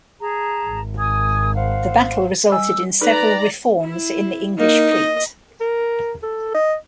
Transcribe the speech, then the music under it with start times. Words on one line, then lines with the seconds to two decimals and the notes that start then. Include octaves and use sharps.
The battle resulted in several reforms in the English Fleet.
0.20 G#4 A5 A#5
0.67 G#1
0.98 G#5 D#6 G#6
1.55 C5 F5 F#5
2.52 G3 G#5 E6
3.01 D#4 A4 B4 D5 A#5
3.82 E4
4.58 A#3 D#4
4.93 D#5
5.61 A#4
6.23 A4
6.55 D#5